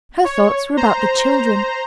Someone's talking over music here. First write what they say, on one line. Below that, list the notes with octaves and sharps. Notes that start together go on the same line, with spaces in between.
Her thoughts were about the children.
C#5
C5 A#5